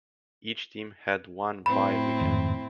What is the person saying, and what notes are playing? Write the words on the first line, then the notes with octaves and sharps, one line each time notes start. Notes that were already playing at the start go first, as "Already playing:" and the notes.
Each team had one bye weekend.
A2 C4 E4 B5
F2 G#2 D#3